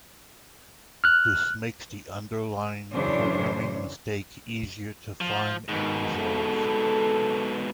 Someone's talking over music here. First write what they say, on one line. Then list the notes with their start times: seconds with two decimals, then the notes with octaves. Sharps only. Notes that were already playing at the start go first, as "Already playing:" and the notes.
This makes the underlying programming mistake easier to find and resolve.
1.04 F6 F#6
2.93 F#2 C#3 E3 D4 C5 C#5
5.21 F3
5.69 G#2 B2 D#3
6.18 A4